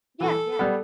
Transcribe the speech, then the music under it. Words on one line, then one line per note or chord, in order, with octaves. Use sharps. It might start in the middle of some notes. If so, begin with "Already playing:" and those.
Yeah, yeah.
E3 A4
G3 B3